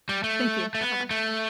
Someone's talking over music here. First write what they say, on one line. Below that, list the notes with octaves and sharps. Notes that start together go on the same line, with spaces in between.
Thank you. Bye-bye.
G3
A3
A3
B3
A3